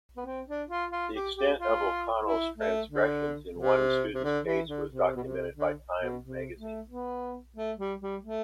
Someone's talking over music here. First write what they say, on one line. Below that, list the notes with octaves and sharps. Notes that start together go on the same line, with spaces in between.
The extent of O'Connell's transgressions in one student's case was documented by "Time" magazine.
B3
C4
D4
F4
F4
G4
G4
F4
E4
A3
D3
C3
C3
D3
E3
D3
C3
B2
C3
D3
B2
C3
A3
B3
A3
G3
G3
A3